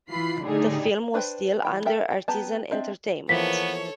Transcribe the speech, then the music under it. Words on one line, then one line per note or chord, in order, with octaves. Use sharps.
The film was still under Artisan Entertainment.
E3 F4 B5 C7
A2 D3 G3 D#4 G#4
D4 B4 C5 G5
E3 G5 B5
A4 A#4 E5 G5
G5
B3 G4 G#4 A5 A#5
C4 D4 D#5 E5
E3 F3 A#3 B3 A4 C#5 B6